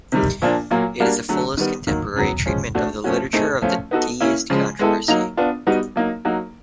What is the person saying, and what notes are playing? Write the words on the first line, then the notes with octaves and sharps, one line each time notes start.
It is the fullest contemporary treatment of the literature of the deist controversy.
C3 D#3 G3
A#2 F3 A#3 D4
A#2 F#3 A#3
G3 A#3 D4 F#4 A#4
D3 F#3 A3
D#3 G3 B3
D#3 F#3 A#3
C#3 F#3 B3
F3 G#3 C#4
A3 D4 F#4
F3 A3 C#4 F#4
A3 C4 D#4 G#4
F3 A3 C#4 F4
B3 D#4 F#4 A4
A#3 C#4 E4
C#3 F3 G#3
G#3 B3 E4 A4
F#3 A#3 D#4
B3 D4 F4
G3 B3 D#4 F#4
F#3 A#3 D#4
F#3 A#3 D#4 F#4